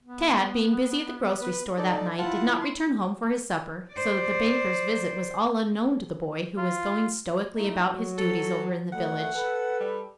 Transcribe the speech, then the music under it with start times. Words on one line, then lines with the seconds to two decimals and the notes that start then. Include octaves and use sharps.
Tad, being busy at the grocery store that night, did not return home for his supper, so that the banker's visit was all unknown to the boy who was going stoically about his duties over in the village.
0.02 B3
1.41 B4
1.77 D#4 A4 D5
2.18 E4 F4 F#5 A5
2.61 C6
3.92 C5 D5
6.58 F4
7.56 A3 D#4 E4
7.86 F#3
8.18 A4
8.93 D2 A3 F#5
9.35 A4 B4
9.80 G3